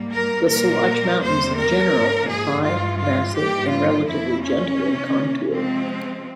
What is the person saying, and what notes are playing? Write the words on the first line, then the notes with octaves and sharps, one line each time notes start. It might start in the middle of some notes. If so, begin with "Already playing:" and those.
The Sawatch mountains in general are high, massive, and relatively gentle in contour.
Already playing: G#2 G3 A#3
A#4
A#2 G3 A#3 A#4
E2 C3 G3 A#3 C5
A#4
G#2 F3 A#3
G#4
G2 E3 G#3 F4
F4
G#2 E3 G3 A#3 G4
F4
F2 C#3 F3 A#3 E4
C#4
C3 E3 A#3
C3 F3 G#3 C4